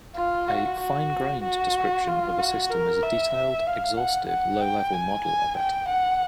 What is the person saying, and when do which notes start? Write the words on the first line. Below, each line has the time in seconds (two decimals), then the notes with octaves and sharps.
A "fine-grained" description of a system is a detailed, exhaustive, low-level model of it.
0.16 F4
0.48 F#4
0.80 F#4
1.44 F#4
2.08 F4
2.39 F#4
2.70 A#4
3.03 E5
3.34 E5
3.67 F5
3.97 F#5
4.29 F#5
4.61 G5
4.93 G#5
5.25 G#5
5.57 G5
5.89 F#5